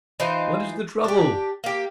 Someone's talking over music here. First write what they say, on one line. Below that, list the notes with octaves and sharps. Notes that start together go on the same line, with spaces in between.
"What is the trouble?"
E3 D#4 F4 C5
D4 G4
A#3 G4